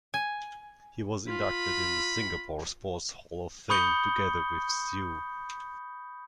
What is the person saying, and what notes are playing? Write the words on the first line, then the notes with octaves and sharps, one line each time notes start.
He was inducted in the Singapore Sports Hall of Fame together with Siew.
G#5
F4 B5
B5 C#6 D#6 G6 C#7 G7